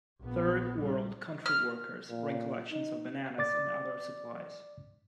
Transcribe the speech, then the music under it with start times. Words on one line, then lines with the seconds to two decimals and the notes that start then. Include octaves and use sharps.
Third world country workers bring collections of bananas and other supplies.
0.21 A#1 B3
0.79 G3
1.46 F6
2.10 A#2
2.71 D#4
3.38 D5 D6 A6